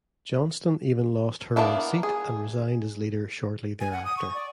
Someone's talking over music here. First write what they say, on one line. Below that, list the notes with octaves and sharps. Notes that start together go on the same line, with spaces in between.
Johnston even lost her own seat and resigned as leader shortly thereafter.
A#3 B3 D4 E4 E5
G#4
G#5
F#5
D#6
C#6
D5